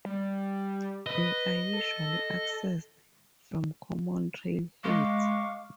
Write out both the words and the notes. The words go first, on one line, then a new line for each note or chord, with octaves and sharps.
They are usually accessed from common trailheads.
G3
B4 D#5
A4
G#3 F5 C#6 D6